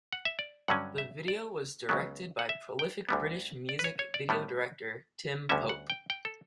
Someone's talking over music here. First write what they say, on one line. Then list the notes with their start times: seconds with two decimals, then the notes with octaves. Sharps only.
The video was directed by prolific British music video director Tim Pope.
0.13 F#5
0.25 E5
0.39 D5
0.68 G2 D3 F#3 C#4 F#5
0.98 E5
1.28 D5
1.89 C#2 C#3 F#3 B3
2.39 F#5
2.49 E5
2.79 G5
3.09 D2 D3 G3 B3
3.69 D5
3.79 B4
3.84 C#5
3.99 C#5
4.14 D5
4.29 A2 G3 B3
5.49 D2 D3 G3 C#4 E5
5.69 F#5
5.90 G5
6.10 G5
6.25 A4